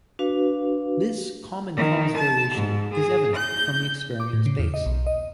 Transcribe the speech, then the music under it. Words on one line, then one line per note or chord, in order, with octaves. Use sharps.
This "common-cause variation" is evident from the experience base.
D4 F#4 B4 F5
D#3
A5
G#2
G#4
G6
D6
A2
C#3
E2
D#5
B1
D#5